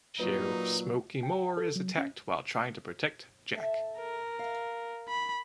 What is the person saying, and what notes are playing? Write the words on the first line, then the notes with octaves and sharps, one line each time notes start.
Sheriff Smoky Moore is attacked while trying to protect Jack.
A#2 F#3 D#4 B4
G5
A4
F#3
C#4
A4 E5
A#4
F5
B5